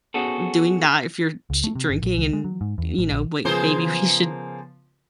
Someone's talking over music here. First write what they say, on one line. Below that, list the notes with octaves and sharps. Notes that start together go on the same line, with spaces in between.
doing that, if you're sh drinking and, you know, wai maybe we should
B3 C#4 F#4 G#4 A4
C#2
A3
C3
G1
A#1
C#2
G#3
F#3
G#2
E2
A1
A#1
C#3 F3 A#3 B3 G#4 C5